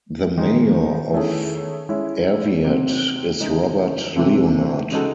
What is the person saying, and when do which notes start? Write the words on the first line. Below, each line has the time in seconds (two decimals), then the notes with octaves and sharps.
The mayor of Arviat is Robert Leonard.
0.37 D#3 G#3 D#4
1.12 D#3 A3 C#4 E4 G#4
1.89 G#3 C#4 E4
2.64 C3 F#3 C4
3.40 C#3 E3 G#3 D#4
4.16 C3 E3 A3 C4 E4
4.91 C#3 G#3 D#4 F#4 A4